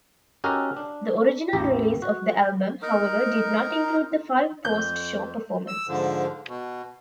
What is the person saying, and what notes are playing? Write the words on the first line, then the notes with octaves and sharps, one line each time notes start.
The original release of the album, however, did not include the five post-show performances.
C#4 D#4 F#4 G4 A4 A#4
D4
A1 E2 G4 A#5
F#4
D#4 A#4
F2 G6
E6
G#2 D3 F3
B2